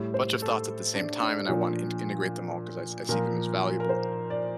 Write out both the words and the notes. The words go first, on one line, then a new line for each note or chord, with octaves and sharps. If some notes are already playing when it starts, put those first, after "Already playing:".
bunch of thoughts at the same time, and I want to inte integrate them all because I I see them as valuable.
Already playing: A2 G3
C5
A4
D4
D4
A#2 F3
A#2 F3 A#4
A#4
C5
D5